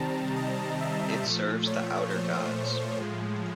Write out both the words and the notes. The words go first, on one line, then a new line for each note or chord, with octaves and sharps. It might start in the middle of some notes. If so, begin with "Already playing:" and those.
It serves the Outer Gods.
Already playing: C3 D#3 G3 C4 A5 A#5
D#5
E5
A#2 F3 A3
C#5
C5
A2 F3 G#3